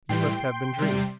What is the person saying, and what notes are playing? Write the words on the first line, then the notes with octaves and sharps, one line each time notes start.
You must have been dreaming!
A2 E3 G3 G5 C6
C3 G3